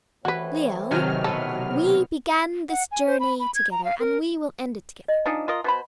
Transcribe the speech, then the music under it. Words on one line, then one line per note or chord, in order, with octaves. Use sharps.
Leo, we began this journey together and we will end it together.
A1 A2 E3 C4 F#4 B4
C3 D#3 F#3 G#5 F6
B2 A4 B4 F#5
F#5
G#5
C5
B5
B5
G#6
A#5
F5
A#4
D#5
F3 D4 D#4 G#5
F4 A#4 D#5
B2 C5 B5